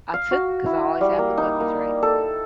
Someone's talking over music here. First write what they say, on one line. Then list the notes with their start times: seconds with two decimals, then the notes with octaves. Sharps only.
I took, 'cause I always have the puppies, right?
0.14 F5
0.31 F#4
0.66 E4
1.01 G3
1.18 A#3
1.37 D#4
1.60 A#3
2.03 A4